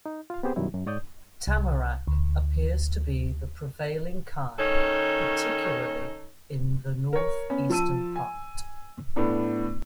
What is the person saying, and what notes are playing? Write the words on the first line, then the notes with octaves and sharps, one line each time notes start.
Tamarack appears to be the prevailing kind, particularly in the North-eastern part.
D#4
F4 F5
B3 C4 G4 G#4 C5
F#2 B2 D#3 F#3 G3 E4
F#2
G#2 C#5 D5 D#6 G6
C2
D2
D#3 C#4 D#4 A4 C#5
A#4 C#5
B3 C#4
F3 A5 E6 D#7
G#5
A2 B3 D4